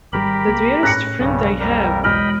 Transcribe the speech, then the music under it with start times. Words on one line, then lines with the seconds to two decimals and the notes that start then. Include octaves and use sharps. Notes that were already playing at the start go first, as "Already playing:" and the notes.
The dearest friend I have!
0.13 G#1 C3 G3 G4 A#4 B5
0.47 C2 A#3
0.83 A2 C#4 F#6 A#6 C#7
1.20 B1 G2 C#3
1.60 F2 G3 A#4
2.04 E1 D#5 G5 B5 F6